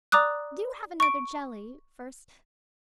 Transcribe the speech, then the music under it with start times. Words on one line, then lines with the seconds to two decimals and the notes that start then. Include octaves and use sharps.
Do have another jelly first.
0.12 D5 A#5 D6 D#6 F#6
1.00 C#6 D7